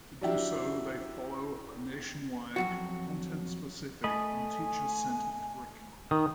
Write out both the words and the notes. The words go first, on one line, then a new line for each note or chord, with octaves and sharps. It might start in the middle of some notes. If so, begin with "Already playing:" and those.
To do so, they follow a nationwide, content-specific, and teacher-centered curriculum.
F#3 D4 E4 G4
F2 F#3 F#4
A3 D#5 G#5 B5
D#3 D#6